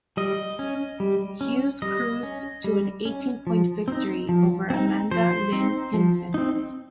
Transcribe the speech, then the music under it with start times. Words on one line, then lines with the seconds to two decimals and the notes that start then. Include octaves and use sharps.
Hughes cruised to an eighteen point victory over Amanda Lynn Hinson.
0.17 G3 D#5
0.59 C#4
1.00 G3
1.41 C#4
1.82 G3 D#5
2.23 C#4
2.64 G3
3.05 C#4
3.47 F3
3.88 C4 D#4
4.29 F3
4.70 C4 D#4
5.11 F3 C5
5.52 C4 D#4
5.94 F3
6.34 C4 D#4